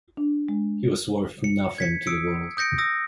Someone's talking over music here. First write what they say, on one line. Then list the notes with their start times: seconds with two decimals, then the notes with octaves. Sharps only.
He was worth nothing to the world.
0.17 D4
0.49 G#3
1.44 C#7
1.78 G#6 B6 C#7
2.07 D#6 E6 C#7 D7
2.57 D#6 G6 A#6 C#7 D7
2.78 D#6 E6 A#6